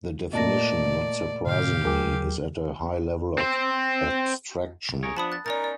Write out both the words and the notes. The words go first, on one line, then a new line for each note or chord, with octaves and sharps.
The definition, not surprisingly, is at a high level of abstraction.
A#2 A3 A#3 D5 D#5 A5 A#6
G#2 B2 D3 G4 F5
D#2 F#3 G#4 A#4 G5 D6
C4 C5
G#4 A#4 C#5
F3 B3 D4 A5 B5 D#6
F#6 A6
B3 C#4 D#4 A#4 D5 A#5 A6
D5